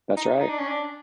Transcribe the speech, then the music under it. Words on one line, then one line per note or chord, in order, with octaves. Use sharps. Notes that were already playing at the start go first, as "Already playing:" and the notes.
That's right.
D#4
D#4
D4
C#4
D4